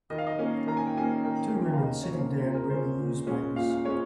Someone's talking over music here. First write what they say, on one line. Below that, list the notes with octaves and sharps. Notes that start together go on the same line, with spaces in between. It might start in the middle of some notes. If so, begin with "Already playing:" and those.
Two women sitting down reading newspapers.
D#3 D#5
F5
D#5
A#3 C#4 G#5
D#3 A#5
G#5
G5
A#3 C#4 G#5
D#3 G5
A#3 C#4
G5
F5
D#3 D#5
C#5
A#3 C#4 C5
A#2 C5
A#4
G#3 C#4 C5
A#2
G#3 C#4
A#2 F5
F5
G#3 C#4 C#5